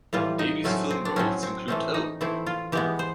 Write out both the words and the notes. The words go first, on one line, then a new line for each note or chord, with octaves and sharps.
Davies' film roles include Oh!
A2 E3 G3 F4
D#4
A2 F#3 A3 C4 C#4
C4
D4
A2 F#3 A3 C4 C#4
C4
E3 A3 C4 C#4
D#4
E3 A3 C4 E4
F4
E3 G#3 B3 G4
C5